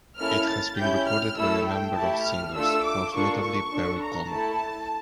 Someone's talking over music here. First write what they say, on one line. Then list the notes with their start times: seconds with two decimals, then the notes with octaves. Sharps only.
It has been recorded by a number of singers, most notably Perry Como.
0.19 A#3 C#4 E4 A4 F6
0.49 A6
0.78 C#4 E4 G4 G6
1.08 F6
1.37 A3 E4 A4 E6
1.67 G5
1.96 A3 E4 G4 A5
2.25 F6
2.55 A3 D4 F4 A4 E6
2.85 D6
3.14 A#3 D4 F4 A4 C#6
3.43 C#6
3.73 D4 A4
4.03 A#5
4.32 A3 E4 A4 A5